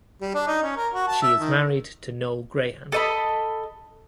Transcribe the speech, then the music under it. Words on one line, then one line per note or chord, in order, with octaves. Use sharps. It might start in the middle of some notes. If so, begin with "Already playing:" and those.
She is married to Noel Grehan.
G3
D4
D#4
C#4
A#4
F#4
A5
E5
D#3
A4 D#5 B5